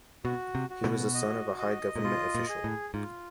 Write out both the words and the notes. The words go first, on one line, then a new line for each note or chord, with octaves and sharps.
He was the son of a high government official.
B2 F#4
C3
F#4
B2
D#5
D#5
A#2
B2 F4
A#2
G#4
A2
G#2 F4